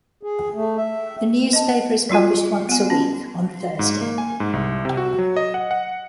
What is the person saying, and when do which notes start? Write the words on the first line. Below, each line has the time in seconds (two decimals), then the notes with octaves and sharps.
The newspaper is published once a week on Thursday.
0.23 G#4
0.54 A3
0.77 E5
1.53 D#5 A5
2.09 F#3 G3 F4 F#4
2.69 B3 G#5
2.90 C#4
3.79 G#2
4.01 A#3
4.18 G#5
4.40 G#2
4.53 C2
4.85 C3
4.97 F#4
5.19 F#3
5.36 D#5
5.54 F#5
5.71 F#5